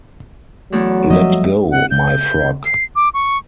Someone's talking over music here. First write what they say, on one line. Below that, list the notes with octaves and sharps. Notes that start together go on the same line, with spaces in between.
Let go my frock!
E2 F#3 A3 D4
F3 G3 D#5 E5
F#5
G6
C7
D6
C#6